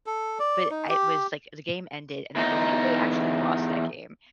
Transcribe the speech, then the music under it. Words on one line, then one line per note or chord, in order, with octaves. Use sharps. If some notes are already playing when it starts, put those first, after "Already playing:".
but I was, like the game ended, and I believe we actually lost that game.
A4
D5
D#4
G4
E2 D#4